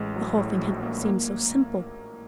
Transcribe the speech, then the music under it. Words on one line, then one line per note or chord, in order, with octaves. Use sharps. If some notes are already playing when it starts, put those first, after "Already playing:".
The whole thing had seemed so simple.
Already playing: A1 G#3
F#3
A2
A#1
A#3
A#3